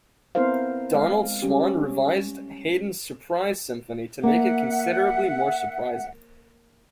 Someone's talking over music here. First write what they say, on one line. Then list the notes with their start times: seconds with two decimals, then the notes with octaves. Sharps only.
Donald Swann revised Haydn's "Surprise" Symphony to make it considerably more surprising.
0.35 B3 C4 E4 A#4 C5 F5
0.94 G#3 F5
1.42 G3 C#4 G4
4.23 A#3 E5 F#5